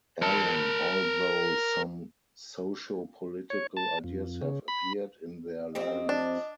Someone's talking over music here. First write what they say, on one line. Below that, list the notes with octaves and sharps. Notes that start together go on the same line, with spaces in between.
Allin, although some socio-political ideas have appeared in their lyrics.
A#4 A5
C#5
A5
F2
C#3
B5
F2 C4 G4 D#5
D4